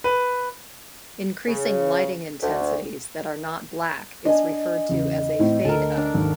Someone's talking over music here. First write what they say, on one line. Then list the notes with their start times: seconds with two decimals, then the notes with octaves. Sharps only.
Increasing lighting intensities that are not black is referred to as a fade-up.
0.04 B4
1.47 C#3
2.42 D2
4.25 D4 D#5 G#5
4.89 E2 C#3
5.38 A2 E3 C4
5.65 D2 A4 A#4
5.97 D4
6.14 G#1 D#2 G#2